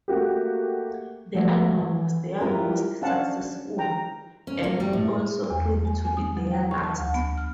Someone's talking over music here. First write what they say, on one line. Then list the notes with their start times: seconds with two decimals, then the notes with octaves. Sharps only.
The album was their most successful, and would also prove to be their last.
0.08 A3 A#3 F#4 G4
1.34 F3 G#3 A3 F#4 D#5 E5
1.73 E3
2.40 E4 F4 G4 A#4 B4 E5
3.02 C#4 D4 C5 F5 F#5 A5
3.78 G5 A#5
4.47 C#4
4.64 A#3
4.80 G3
4.93 A2
5.50 E2
5.68 A#3
5.85 G#3
6.05 G#5
6.17 D#6
6.37 F#3
6.51 G5
6.71 C#6
6.84 A5
6.98 D2
7.14 B3
7.37 F6